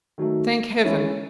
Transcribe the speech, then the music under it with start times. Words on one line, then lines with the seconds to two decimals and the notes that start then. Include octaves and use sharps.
Thank Heaven!
0.18 D#3 F#3 A3
0.85 E3 G#3 C#4 E4